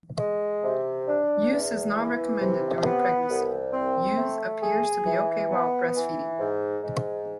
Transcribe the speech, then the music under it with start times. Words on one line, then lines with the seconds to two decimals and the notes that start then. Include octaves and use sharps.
Use is not recommended during pregnancy Use appears to be okay while breastfeeding.
0.19 G#3
0.63 C3
1.07 D4
1.52 E2
1.96 E3
2.40 C3
2.84 B3
3.29 C2
3.73 C4
4.18 A3
4.62 G#4
5.06 E3
5.50 B3
5.95 E3
6.39 G#2
6.83 G#2